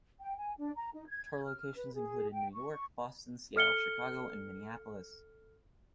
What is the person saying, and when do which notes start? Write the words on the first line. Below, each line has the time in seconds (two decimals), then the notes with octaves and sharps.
Tour locations included New York, Boston, Seattle, Chicago, and Minneapolis.
0.21 G5
0.38 G#5
0.59 D4
0.76 A#5
0.94 D#4
1.08 G#6
1.44 F6
1.76 B4
1.95 G#4
2.33 G5
2.54 C#6
3.56 A4 F6 C#7 G7